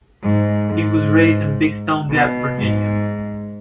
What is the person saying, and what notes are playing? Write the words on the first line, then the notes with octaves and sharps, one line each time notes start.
He was raised in Big Stone Gap, Virginia.
G#2
G#2
B2
G#2